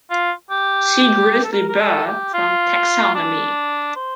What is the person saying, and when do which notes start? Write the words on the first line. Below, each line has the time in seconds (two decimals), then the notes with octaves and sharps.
See grizzly bear for taxonomy.
0.10 F4
0.51 G4
1.44 A4
1.52 A#4
1.69 A#4
1.80 A4
2.06 G4
2.34 F4
3.15 D4
3.96 C5